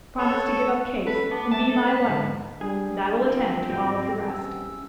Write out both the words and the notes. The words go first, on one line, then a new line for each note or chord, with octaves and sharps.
Promise to give up Case, and be my wife, and I will attend to all of the rest.
A4 C#5
A3 C#4 A4 B4
B3 A5 D6
G#3 E5 A5 D6
A4
B4
G#2 D3
G3 D4 G#4
D2 F3 C4
G#2 G3 F#4 G4 A#6
A#1 E2 C#4 E6